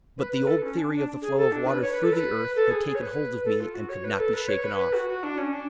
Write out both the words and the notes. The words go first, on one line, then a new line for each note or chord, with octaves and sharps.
But the old theory of the flow of water through the earth had taken hold of me and could not be shaken off.
B4
B4
A4
C#4
D4
D4
G#4
A4
D4
B4
C#5
B4
A4
B4
A4
G#4
G#4
C#5
B4
A4
F4
F#4
C#5
B4
A4
B4
C#5
B4
B4
F#4
F#4
D4
C#4
D4